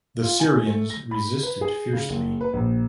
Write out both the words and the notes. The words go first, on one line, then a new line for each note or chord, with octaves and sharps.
The Syrians resisted fiercely.
F4
G#5
A3
A#6
B5
B4
G#4
C#3
F#1
B4
A#1